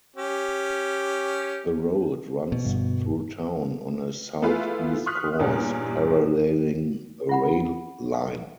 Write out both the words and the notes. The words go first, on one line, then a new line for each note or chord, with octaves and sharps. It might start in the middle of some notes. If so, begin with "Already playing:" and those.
The road runs through town on a southeast course, paralleling a rail line.
C#4 G4
B2
G1
A3 B3 E4 F4 G#4 B4
C6 C#6 D#6 F6 F#6 B6
E2 G2 A#2 G3 C#4
F4 F#5 B5